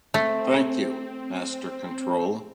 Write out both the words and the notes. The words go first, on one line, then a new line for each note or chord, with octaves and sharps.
Thank you, Master Control.
A3 C4